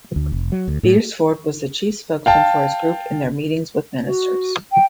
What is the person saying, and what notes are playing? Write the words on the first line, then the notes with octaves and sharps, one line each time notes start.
Beresford was the chief spokesman for his group in their meetings with Ministers.
D2
F1
F#3
D2
A2
F5 G5 A5
F#4
G5